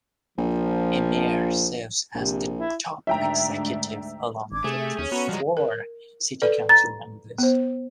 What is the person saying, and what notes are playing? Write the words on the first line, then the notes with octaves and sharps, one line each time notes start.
A mayor serves as the top executive along with four city council members.
A#1 F3
A#1 C3
E4
D2 G#2 D4 E5 G5 A#5
G#1 D4 D6 G#6
C3 A3 G#4
G4 E5
D#2 C#4
B3 F#4 A4 A#5 B5
F3 G3 G#3 A#5
A#4
A4 B4 D5
A#5 A6
B3 C5